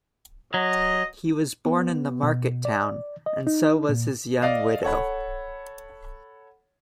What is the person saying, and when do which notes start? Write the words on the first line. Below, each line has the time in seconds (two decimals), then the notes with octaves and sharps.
He was born in the market-town, and so was his young widow.
0.54 F#3 D#5
1.65 B3
2.23 B2
2.65 D5
3.26 D#5
3.47 D#4
3.89 A#2
4.42 D5 D#5 F5
4.83 A4 C#5 F#5 B5